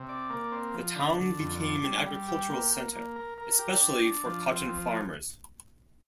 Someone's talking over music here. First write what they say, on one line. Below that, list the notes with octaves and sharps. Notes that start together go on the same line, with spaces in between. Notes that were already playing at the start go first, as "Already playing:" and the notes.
The town became an agricultural center, especially for cotton farmers.
Already playing: C3
D5
A#3
C4
F3
D3
D3
F2
D4
G3
G3
G4
A#3
A#3
A#3
A#4
A#4
G4
D4
D4
F3
C4
F3